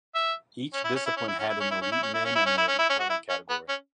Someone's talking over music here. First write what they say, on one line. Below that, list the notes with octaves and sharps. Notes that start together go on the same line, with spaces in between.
Each discipline had an Elite Men and an Elite Women category.
E5
C#4
E4
C#4
E4
C#4
E4
C#4
E4
C#4
E4
C#4
E4
C#4
E4
C#4
E4
C#4
E4
C#4
E4
C#4
F#4
E4
C#4
B3
C#4